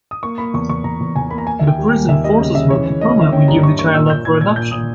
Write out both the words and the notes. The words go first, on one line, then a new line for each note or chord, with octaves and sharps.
The prison forces her to permanently give the child up for adoption.
D#6
A#3 C#6
A#3 B5
E2 C#6
E2 C#6
E2 A#5
E2
E2 G#5
A#3 B5
A#5
A#3 G#5
E5
D#2 G5
G3
G5
A#3
D#2 E5
G3 D#5
C#3 D#5
C#3 E5
E3 C#5
C#4
A#3 D#5
E3 E5
C#4 G5
G2 A#5
C#4 C#6
A#3 C#6
A#2 E6
A#2 G6
A#2 G#6
A#2 G#6
A#2 G6
A#2 D#6